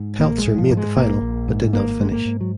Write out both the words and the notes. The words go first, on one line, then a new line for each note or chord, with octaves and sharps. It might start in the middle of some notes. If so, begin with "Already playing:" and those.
Peltzer made the final, but did not finish.
Already playing: G#2
A#1 A#3
G#3
G#2
F3
G#2 A#3
G#3
A#1 A#3
A#1
G#2
G#1 A#3
G#2 G#3
A#3
G#2
F#3